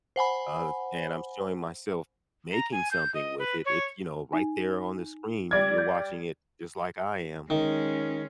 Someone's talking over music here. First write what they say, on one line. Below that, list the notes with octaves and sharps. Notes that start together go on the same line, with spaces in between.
uh, and I'm showing myself making something with it. It's, you know, right there on the screen, you're watching it just like I am.
C5 F#5 G#5 B5
A#5
G#5
G6
D#5
B4
C#5
D#4 G#5
G3 D5 G#6
G6
D#3 G#3 C#4